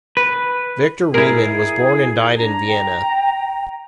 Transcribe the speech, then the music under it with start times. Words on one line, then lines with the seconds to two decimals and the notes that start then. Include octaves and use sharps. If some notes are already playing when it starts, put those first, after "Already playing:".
Viktor Reimann was born and died in Vienna.
0.17 B4
1.14 E4 G#4 A#4
2.38 D4 A#5
2.69 G5